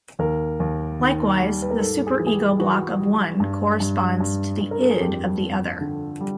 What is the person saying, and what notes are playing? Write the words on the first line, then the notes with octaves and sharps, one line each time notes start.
Likewise, the super-ego block of one corresponds to the id of the other.
D#2 A#4
D#2
D#3
G3
B4
A#4
G#2 A4
G#4
E3
G#4
G4
E3 F#4
G3
G2
G2
G2
G2
A#4
A4
G#4
F2 G4
F2
D3
G3